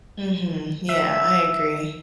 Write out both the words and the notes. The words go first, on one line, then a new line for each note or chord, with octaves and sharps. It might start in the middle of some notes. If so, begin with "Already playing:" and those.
Mhm. Yeah, I agree.
E5